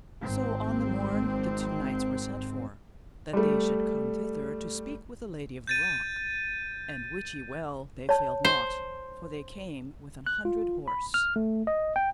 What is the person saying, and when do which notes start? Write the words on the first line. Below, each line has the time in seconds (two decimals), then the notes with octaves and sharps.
So on the morn the two knights were sent for, that they should come thither to speak with the Lady of the Rock, and wit ye well they failed not, for they came with an hundred horse.
0.22 G#1 G#2 C4
3.33 G3 A3
5.67 G6 A6 D#7
8.09 C#5 A5
8.45 C5
10.27 F#6
10.45 F4
10.88 B5
11.14 F6
11.36 A3
11.67 D#5
11.96 G5